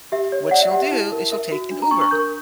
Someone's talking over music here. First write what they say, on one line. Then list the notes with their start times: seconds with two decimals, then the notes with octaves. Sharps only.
What she'll do is she'll take an Uber.
0.12 G4 E5
0.32 C#5
0.51 D5 F#5
0.62 E5
0.71 G4 F#5
0.82 E5
0.92 E4
1.12 A#4
1.31 A#4 E5
1.52 F#4
1.71 D4
1.82 A#5
1.91 D4 C#6
2.01 C#6
2.11 A#4 G6